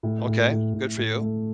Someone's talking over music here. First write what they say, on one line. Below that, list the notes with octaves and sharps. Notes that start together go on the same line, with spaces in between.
Okay. Good for you.
A2
A2
A2
A2
A2
A3